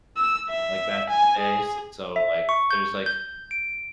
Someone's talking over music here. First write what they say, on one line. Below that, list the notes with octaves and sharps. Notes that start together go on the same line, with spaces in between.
like, back in the days. So, like, there's, like
E6
E5
G#5
G#4
E5
C#6
G6
G6
D7